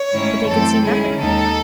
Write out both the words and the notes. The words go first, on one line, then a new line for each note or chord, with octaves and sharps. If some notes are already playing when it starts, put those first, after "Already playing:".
But they could see nothing.
Already playing: C#5
G#2 D#3 A3 C#4 E4
F#2 E3 A3 C4 A4
D#3 G#3 C#4 E4 G#4
D#2 D#3 G#3 D#4 A4